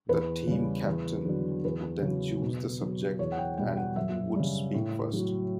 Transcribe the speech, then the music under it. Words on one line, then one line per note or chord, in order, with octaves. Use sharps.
The team captain would then choose the subject and who would speak first.
E2 B4
C#3 G3
E2
D3 F#3
E2 B4
C#3 F#3
B2
F#3
E2 C#5
F#5
G5
B2 G3 G5
F#5
F#2 E5
C#3 G3
A2
F#3